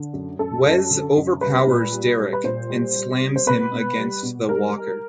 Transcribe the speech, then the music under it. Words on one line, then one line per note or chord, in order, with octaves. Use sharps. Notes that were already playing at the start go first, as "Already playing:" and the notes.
Wes overpowers Derek and slams him against the walker.
Already playing: D3
F#2
F#2 A4
F#2
D3
F#2
G3 B4
A#2
G3
G3
B4
A#2 C5
G3
G3
G3
C5
B2 B4
B2
G3
B2
G3 A#4
G3